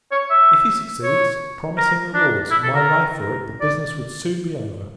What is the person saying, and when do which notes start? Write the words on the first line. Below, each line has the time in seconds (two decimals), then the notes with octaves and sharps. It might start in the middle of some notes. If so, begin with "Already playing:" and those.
If he succeeds, promise him rewards; my life for it, the business would soon be over.
0.12 C#5
0.30 E5
1.03 C#5
1.77 A#4
2.14 D4
2.51 E4
2.63 A4
2.75 A#4
3.61 D5